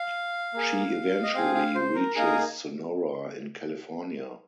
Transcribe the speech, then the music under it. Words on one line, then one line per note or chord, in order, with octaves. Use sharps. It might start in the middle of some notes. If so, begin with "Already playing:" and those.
She eventually reaches Sonora in California.
Already playing: F5
A#3 G#4
D#5
C4 G#4 F5
F5
C5
A#4
A#3 D#4 G#4 A#4